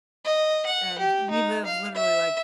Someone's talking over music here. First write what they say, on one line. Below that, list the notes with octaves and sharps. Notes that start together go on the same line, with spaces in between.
and we live literally, like,
D#5
F#5
G4
D#4
F5
E5